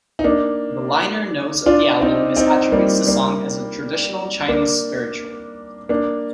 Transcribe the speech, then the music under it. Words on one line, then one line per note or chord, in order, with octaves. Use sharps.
The liner notes of the album misattributes the song as a traditional Chinese spiritual.
D#4
A#3 D4
D4 F4
C4 D#4
C4 D#4
G3 A#3
G3 A#3
A#3 D4
A#3 D4